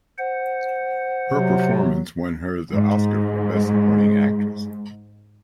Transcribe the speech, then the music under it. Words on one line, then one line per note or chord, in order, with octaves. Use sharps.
Her performance won her the Oscar for Best Supporting Actress.
C5 F#5
C3 F#3
G#2 G#3